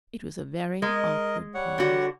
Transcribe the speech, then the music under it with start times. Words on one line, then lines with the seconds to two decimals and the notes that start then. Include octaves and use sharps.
It was a very awkward pause.
0.82 G#3 A#4 D#5
1.54 G3 C#5 F#5
1.78 D3 F#4